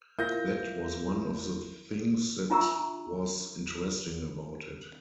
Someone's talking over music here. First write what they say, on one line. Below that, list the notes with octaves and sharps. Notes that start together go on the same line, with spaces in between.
That was one of the things that was interesting about it.
E4 F4 A#4 G6 A#6
D4 F4 E5 A#5 C#6 E6